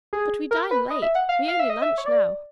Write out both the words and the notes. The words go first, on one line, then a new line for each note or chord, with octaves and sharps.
But we dine late, we only lunch now.
G#4
A#4
B4
D#5
E5
F#5
F5
F5
E5
D#5
E5
C#5
D5